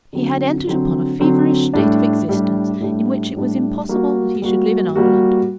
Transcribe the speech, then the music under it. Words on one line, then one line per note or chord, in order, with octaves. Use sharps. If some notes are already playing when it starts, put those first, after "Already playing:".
He had entered upon a feverish state of existence in which it was impossible that he should live in Ireland.
D3 F#3 C4
D3 F#3 C4
D3 F#3 C4
A2 G3 D4
A2 G3 D4
A2 G3 D4
A2 G3 D4
G3 A#3 F#4
G3 A#3 F#4
G3 A#3 F#4